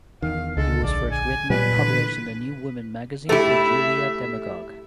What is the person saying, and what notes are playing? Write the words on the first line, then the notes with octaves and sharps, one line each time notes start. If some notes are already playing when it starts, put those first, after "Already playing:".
It was first written and published in "The New Woman" magazine for Julia Demagogue.
E2 D#3 F5
C#2 D3 G#3 A4
A#1 D5
G#5
A#2 F#3 G3 B3 B4
D3 E3
A3 E4 G4 A4 E5